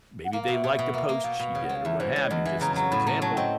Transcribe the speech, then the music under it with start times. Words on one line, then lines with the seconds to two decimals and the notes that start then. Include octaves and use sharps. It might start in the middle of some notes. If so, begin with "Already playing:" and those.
maybe they liked a post she did or what have you, just as an example,
0.25 F#5
0.33 A#3 F5
0.43 B2 F5
0.53 E5
0.64 B2
0.79 B2
0.94 A#3 E5
1.09 A#3
1.24 B2 F5
1.39 B2
1.55 C#3
1.65 G#3 F#5
1.75 F5
1.85 E2 E5
2.00 E3 C5
2.15 G#3 C#5
2.30 E2 D#5
2.45 E3 E5
2.61 C#3 A#5
2.76 F#3 A#5
2.91 A2 B5
3.07 A3 A#5
3.22 F#3 A5
3.37 C4 D#5